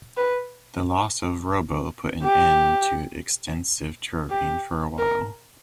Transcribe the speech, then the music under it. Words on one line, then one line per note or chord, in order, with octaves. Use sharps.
The loss of Robo put an end to extensive touring for a while.
B4
G4
G4
A#4